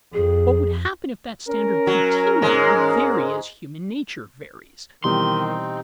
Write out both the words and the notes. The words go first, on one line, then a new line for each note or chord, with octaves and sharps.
What would happen if that standard continued would vary as human nature varies.
F2 G#4
C#4 A#4
F#3
G#2 G#3
B2 D#3 E3 G3 C4 D#4 C6